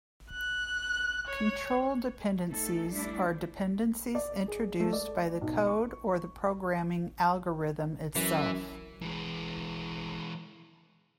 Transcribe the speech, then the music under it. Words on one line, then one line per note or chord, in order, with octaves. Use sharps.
Control dependencies are dependencies introduced by the code or the programming algorithm itself.
F#6
C#5
A3 D#4 A4
G3 A3 D4 E4
D5
G#4
A3
D5
B1
C#6
F#2 E3
E3 G#3